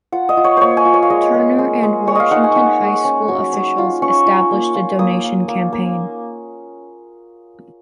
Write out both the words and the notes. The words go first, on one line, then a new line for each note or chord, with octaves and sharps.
Turner and Washington High School officials established a donation campaign.
F4 F#5
D#5
F4
C#5
A#3 C5 C#5
G#5
F4
C#5
F5
G#3 D#5
G#3
G#3
G#3
G#3 C#5
D#5 F5
D#4 F#5
G#5
D#4 F#5
G#3
C#4
F#3
C#4
F4
C#4 C#6
F4
A#3
F4
A#3 D#6
A#3
A#3
A#3